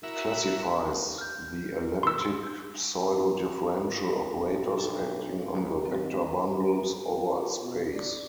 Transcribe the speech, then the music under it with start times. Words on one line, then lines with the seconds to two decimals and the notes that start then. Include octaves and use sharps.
It classifies the elliptic pseudo-differential operators acting on the vector bundles over a space.
0.03 E4 F#4 A#4 E5
1.18 F6 G6
2.03 C6 E6
4.41 B1
4.78 D4 A4
5.49 C#2
5.85 D#2 F#3 C4 D#5
6.44 B4
6.77 F2
7.09 F4
7.60 B2
7.93 D5